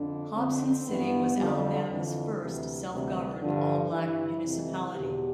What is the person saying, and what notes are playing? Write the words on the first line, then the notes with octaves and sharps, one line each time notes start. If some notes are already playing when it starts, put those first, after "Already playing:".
Hobson City was Alabama's first self-governed all-black municipality.
Already playing: F2 D3 D4
F2 D3 C4
G2 E3 B3
F2 D3 G3
F2 D3 E3
D2 C3 E3
D2 C3 E3 G3
G2 D3 F3
G2 E3 E4
F2 C3 E3
E2 B2 G4